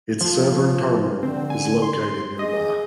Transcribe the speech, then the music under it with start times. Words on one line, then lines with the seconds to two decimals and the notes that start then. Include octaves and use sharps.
Its southern terminal is located nearby.
0.21 F3 F4
1.23 D3 C4
1.50 G#5
1.82 C6
2.39 G#4 D#5